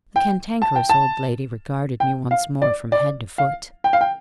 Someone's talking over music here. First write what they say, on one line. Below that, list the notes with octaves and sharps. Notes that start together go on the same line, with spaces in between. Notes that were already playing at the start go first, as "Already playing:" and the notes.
The Cantankerous Old Lady regarded me once more from head to foot.
G5
A5
G5
A5
G5
F5
D5
D5
F5
G5
F5
G5